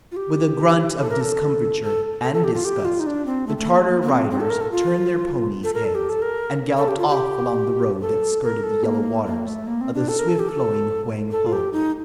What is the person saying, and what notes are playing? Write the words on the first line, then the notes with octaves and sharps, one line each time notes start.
With a grunt of discomfiture and disgust, the Tartar riders turned their ponies' heads and galloped off along the road that skirted the yellow waters of the swift-flowing Hwang-ho.
F4
G4
A4
A#4
A4
A4
A4
A4
G4
F4
G4
F4
D#4
D4
C4
A3
A3
A#3
A3
A#3
A#3
C4
C4
A4
A#4
A4
F4
A4
A#4
A4
G4
A4
A#4
A4
G4
F4
G4
A4
A#4
A4
A#3
A#3
A3
A#3
C4
D4
A4
A#4
A4
G4
A4
A4
F4
G4
D#4